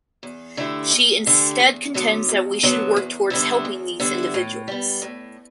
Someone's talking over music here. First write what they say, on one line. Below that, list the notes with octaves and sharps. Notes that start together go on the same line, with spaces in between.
She instead contends that we should work towards helping these individuals.
E2
D3 A3 E4 G4
E2
D3 A3 E4 G4
E2
D3 F#3 B3
E2
D3 F#3 B3
E2
D3 G3 B3 E4
E2
D3 G3 B3 E4
A2
G3 B3
A2